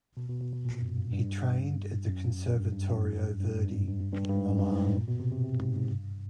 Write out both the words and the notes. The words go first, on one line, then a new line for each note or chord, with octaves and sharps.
He trained at the Conservatorio Verdi in Milan.
B2
B2
B2
B2
A#2
F#2
G2
G2
F#2
G2
G2
F#2
F#2
G2
F#2
G2
G#2
G2
F#2
G2
G2
G2
G2
G#2
F#2
G2
G#2
A2
A#2
B2
C3
C3
C3
G#2
G#2
G2